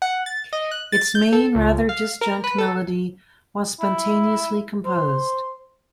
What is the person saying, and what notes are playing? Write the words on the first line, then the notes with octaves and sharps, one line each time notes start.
Its main, rather disjunct melody was spontaneously composed.
F#5
A6
D#5
F#6
A6
G6
A4
C#2
F5
A#4
B4
A4
E4
C5